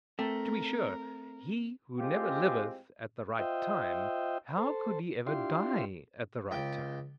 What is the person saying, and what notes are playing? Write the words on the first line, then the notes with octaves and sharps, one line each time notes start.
To be sure, he who never liveth at the right time, how could he ever die at the right time?
A3 C4 A#4
A2 G#3 C4 F4 G4
F4 C5 D#5 E5 G5
A4 C5
D4 E4 F4 G4 C6
C#2 G5